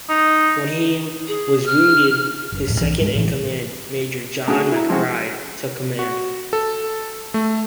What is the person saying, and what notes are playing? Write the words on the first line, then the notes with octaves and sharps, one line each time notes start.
When he was wounded, his second-in-command, Major John MacBride, took command.
D#4
G#4
F6
F#1
E1 A2
C2 E3
G2 G3 G#3
A1 A2 E3
A3 D4 F#4 G#4
E4 A#5
F3 G#3 C4 E4 F#4
F#4
A4
A3